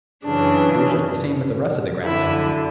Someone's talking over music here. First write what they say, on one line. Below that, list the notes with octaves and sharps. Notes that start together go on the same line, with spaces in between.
It was just the same with the rest of the grammar lesson.
F#2 C#3 E3 D4
F#2 D3 E4